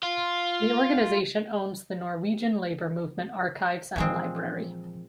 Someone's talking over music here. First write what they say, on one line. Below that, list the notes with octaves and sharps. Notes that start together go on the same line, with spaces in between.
The organization owns the Norwegian Labour Movement Archives and Library.
F4
A#2 E3 F3 G#3 C4